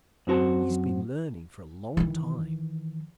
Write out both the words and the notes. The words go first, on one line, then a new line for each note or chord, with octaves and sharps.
"He's been learning for a long time."
F#2 C4 F#4 C5 A5
D#3 E3